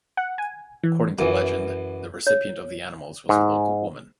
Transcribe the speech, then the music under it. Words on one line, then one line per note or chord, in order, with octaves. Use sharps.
According to legend, the recipient of the animals was a local woman.
F#5
G#5
E3
F#2 E3
C#5
G#2